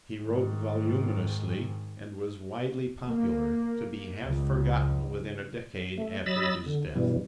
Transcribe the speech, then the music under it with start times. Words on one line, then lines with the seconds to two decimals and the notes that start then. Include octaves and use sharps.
He wrote voluminously and was widely popular, to be half forgotten within a decade after his death.
0.22 G#2 D#3
3.07 A#3
4.20 C#2
5.98 A3
6.26 F#3 D#5 B5 E6 A6
6.66 D3
6.95 G2 B2 E3 G3